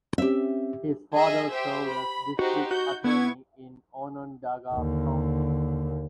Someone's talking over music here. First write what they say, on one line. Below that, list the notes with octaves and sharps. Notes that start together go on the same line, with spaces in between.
His father served as District Attorney in Onondaga County.
C4 C#4 G4 E5
G#4 D#5 E5
G4 C5 E5
B5
D#4 F#4 G4 C5
F#4 G6
B3 E4 C#6 G#6
D#2 D3